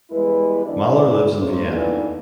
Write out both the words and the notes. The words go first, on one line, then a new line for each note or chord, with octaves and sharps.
Mahler lives in Vienna.
E2 G3 G#3 E4 B4
D2 D3 E3 E4 D5
F3 G#3 A#3 A#4 C5 C#5
E3 A3 B3 D4 D#4 F4